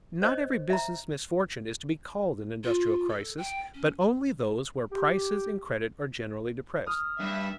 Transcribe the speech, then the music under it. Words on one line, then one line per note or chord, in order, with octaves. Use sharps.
Not every business misfortune is to be called an industrial crisis, but only those where prices and credit are generally depressed.
C5 C#5 D#5
E5 A#5
F4
A4
G5
C#4
G4
D#6 F6
G2 E5